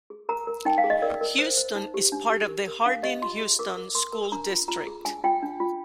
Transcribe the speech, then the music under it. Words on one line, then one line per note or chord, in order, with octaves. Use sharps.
Houston is part of the Hardin-Houston School District.
G#4
A#4 A#5
A#4
D#4 G5
F5
G#4
D#5
A#4 D5
A#4
C5
C5
D#4
G4
D4
G4
A#4
A#4
D4 F5
G4 D#5
F4 C6
G#4
A#4 D6
A#4
A#4 C6
A#4
D4 A#5
F4
F4 A#5
G#4
D4 G#5
F4 G5
D4
F4